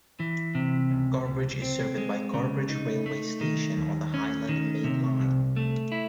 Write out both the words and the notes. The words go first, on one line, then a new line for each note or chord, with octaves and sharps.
Carrbridge is served by Carrbridge railway station on the Highland Main Line.
E3
C3
C#2
C#2
C4
G#3
C#3
D#4
A3
D#3
D#2
C#4
D#3
C3
C2
A3
E4